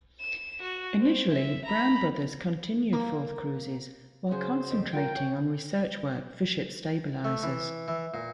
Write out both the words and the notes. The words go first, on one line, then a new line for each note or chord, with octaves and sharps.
Initially, Brown Brothers continued Forth cruises, while concentrating on research work for ship stabilisers.
E7
F#4
C4
E5
A#5 B5
A#3
C#3 F#4 G#4 C5
F2
F4 A#4 G5
C#5 G#5
A3
E3
E3
A#2